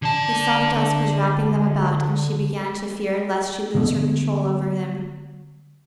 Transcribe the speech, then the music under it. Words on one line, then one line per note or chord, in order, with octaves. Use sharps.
The soft dusk was wrapping them about, and she began to fear lest she lose her control over him.
D3 A5
D3 G3 A3 B3